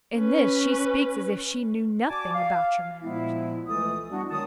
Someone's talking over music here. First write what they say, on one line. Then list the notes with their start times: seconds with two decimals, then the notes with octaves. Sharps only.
"In this she speaks as if she knew nothing about your marriage."
0.19 C#4 B4
2.08 F#4 D5 G#5 A5 D6
2.34 F5
3.02 A#2 F3 G#3 B3 E4
3.67 C#2 E3 A3 A4 D#6
4.10 G3 B3 D4 E4 F#4
4.30 D#3 F#3 G#3 A5 D#6